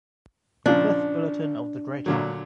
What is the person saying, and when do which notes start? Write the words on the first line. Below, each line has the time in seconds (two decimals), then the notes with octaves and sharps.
Fifth bulletin of the Great Army.
0.66 A#2 C#3 F3 D4
2.06 A#2 D3 F#3